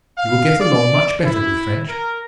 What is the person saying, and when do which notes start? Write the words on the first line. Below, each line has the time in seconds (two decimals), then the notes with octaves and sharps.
You will get along much better with French.
0.17 F5
0.59 D5
1.25 E4
1.88 A#4